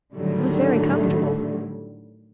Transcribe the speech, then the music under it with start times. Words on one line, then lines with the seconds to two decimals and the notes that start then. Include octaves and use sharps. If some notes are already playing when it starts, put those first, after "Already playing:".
It was very comfortable.
0.15 A2 D3 D#3 F#3 G3 A3